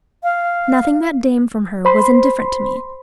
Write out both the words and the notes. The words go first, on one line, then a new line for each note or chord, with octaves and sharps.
Nothing that dame from her was indifferent to me.
F5
C5 B5 C6